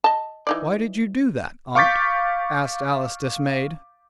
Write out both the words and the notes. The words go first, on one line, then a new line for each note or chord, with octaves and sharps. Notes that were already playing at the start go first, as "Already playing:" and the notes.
"Why did you do that, aunt?" asked Alice, dismayed.
D#5 A5
E3 D#4 D5
F5 C#6 D6 G6 A6 B6